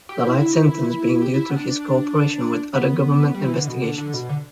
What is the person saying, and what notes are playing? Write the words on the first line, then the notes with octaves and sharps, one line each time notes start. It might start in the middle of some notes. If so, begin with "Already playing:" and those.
The light sentence being due to his cooperation with other government investigations.
G4
G4
E4
D4
E4
G4
E4
B3
D4
B3
G3
E3
D3
B2
D3
D3
B2
D3